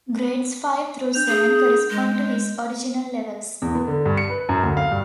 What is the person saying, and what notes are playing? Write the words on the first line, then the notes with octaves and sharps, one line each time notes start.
Grades five through seven correspond to his original levels.
D4 G6 F7
G#4
G#3
E2
B3
D3
G2
C#7
B4
F#2
D2
F5
G2